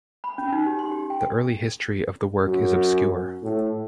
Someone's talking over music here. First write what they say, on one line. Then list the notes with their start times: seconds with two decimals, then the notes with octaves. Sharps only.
The early history of the work is obscure.
0.24 B5
0.38 C#4
0.52 D#4
0.66 G4
0.79 C6
0.91 G4
1.10 G5
2.44 F#2
3.43 A2